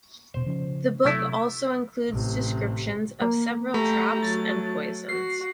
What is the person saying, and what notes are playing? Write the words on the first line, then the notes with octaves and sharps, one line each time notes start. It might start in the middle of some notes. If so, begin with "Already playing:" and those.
The book also includes descriptions of several traps and poisons.
E1 B2 C5
C#3 F3 C#4
C3 F#3 A3 E4
A1 C3
A#3
A3 G4 A#5 B5
F#3 A6
F#4 C7